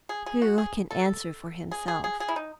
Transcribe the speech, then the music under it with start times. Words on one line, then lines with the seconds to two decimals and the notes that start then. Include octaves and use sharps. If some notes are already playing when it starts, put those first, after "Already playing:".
Who can answer for himself?
0.09 G#4
0.26 G#4
0.42 F#4
0.58 G#4
0.91 A4
1.71 G#4
1.88 G#4
2.04 G#4
2.20 G#4
2.28 E4
2.36 D#4